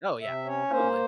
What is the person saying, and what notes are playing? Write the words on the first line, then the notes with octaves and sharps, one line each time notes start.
Oh, yeah. Totally.
C3 E5
C#4 C#5
A#3 C5